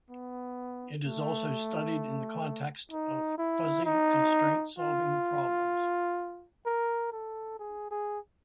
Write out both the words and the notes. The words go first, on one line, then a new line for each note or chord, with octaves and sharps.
It is also studied in the context of fuzzy constraint solving problems.
B3
A3
D#4
E4
D#4
F4
A#4
A4
G#4
G#4